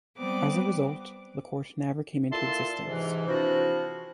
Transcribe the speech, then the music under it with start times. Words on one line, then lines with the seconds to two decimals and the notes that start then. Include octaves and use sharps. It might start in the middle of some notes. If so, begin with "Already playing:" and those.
As a result, the court never came into existence.
0.17 G3 B3 C4 D6
2.31 A#2 E4 F4 A4 A5 C6
2.85 G#2 C3 E3
3.27 F3 C4 D4 E4 F#4